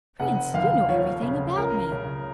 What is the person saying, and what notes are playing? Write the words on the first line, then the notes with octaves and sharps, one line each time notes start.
"Prince, you know everything about me."
F1 F#5
D#2 F5
F3 C#5
C#3
C#2 A#4
C#3